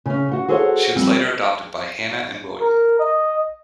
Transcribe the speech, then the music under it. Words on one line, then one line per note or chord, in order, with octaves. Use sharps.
She was later adopted by Hannah and William.
C#3 C#4
F#4 F#5
F#4 G#4 A4 C5 C#5 F#5
F3 G3 C4
A#4
D#5